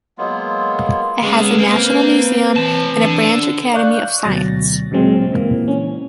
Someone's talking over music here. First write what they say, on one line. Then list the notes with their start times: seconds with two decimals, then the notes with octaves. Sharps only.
It has a national museum and a branch academy of science.
0.18 F#3 G#3 A#3 B3 F4
1.23 G#3 B3 C#4
1.58 A#3 C4 B4
2.56 E3 A5
3.01 D3
3.74 D5 F5 C#6 F#6 G6
4.24 D2 B2 F#3 A6 A#6
4.91 A#2 C#3 F#3 G#3 C4
5.32 A#2 E3 A#3
5.68 C#4